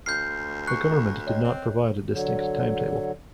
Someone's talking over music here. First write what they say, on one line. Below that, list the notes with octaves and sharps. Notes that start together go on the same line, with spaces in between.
The government did not provide a distinct timetable.
D2 F6 G6 C7
C#6 F#6 C7 C#7
C#5 D#5 G5
C4
D3 F#3